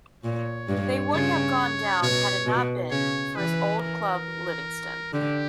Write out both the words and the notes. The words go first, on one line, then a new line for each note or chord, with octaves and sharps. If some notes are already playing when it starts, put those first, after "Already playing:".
They would have gone down had it not been, for his old club Livingston.
A#2 C#5
G2
C#3 C#5
B2 C#5
B2
C#3 C#5
E3 B4
A#4
D3 G4